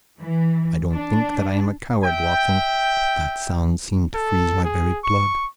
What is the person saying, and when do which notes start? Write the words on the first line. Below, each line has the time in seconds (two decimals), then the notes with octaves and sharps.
I don't think that I am a coward, Watson, but that sound seemed to freeze my very blood.
0.21 E3
0.94 D4
2.02 E5 G5
4.14 A4
4.64 G#4
5.04 C#6